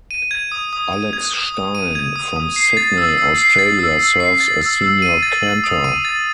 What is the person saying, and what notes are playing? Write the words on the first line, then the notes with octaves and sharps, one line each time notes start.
Alex Stein from Sydney Australia, serves as senior cantor.
D#7
G#6
D#6
D#6
D#7
G#6
D#6
D#6
D#7
G#6
D#6
D#6
C7
A6
E6
E6
C7
A6
E6
E6
C7
A6
E6
E6
D#7
A6
F#7
D#6
D#7
A6